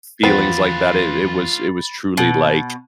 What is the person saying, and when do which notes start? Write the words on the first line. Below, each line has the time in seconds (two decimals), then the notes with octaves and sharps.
feelings like that. It it was it was truly like,
0.23 E2 F3 B3 C4 F4 B4 B5 A6
2.17 B2